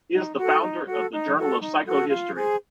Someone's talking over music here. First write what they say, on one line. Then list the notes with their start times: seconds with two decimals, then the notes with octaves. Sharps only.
He is the founder of "The Journal of Psychohistory".
0.13 D#4
0.37 F#4 A4
0.62 D#4
0.87 F#4 A4
1.12 D#4
1.37 F#4 A4
1.61 D#4
1.86 F#4 A4
2.10 F4
2.35 G#4 C5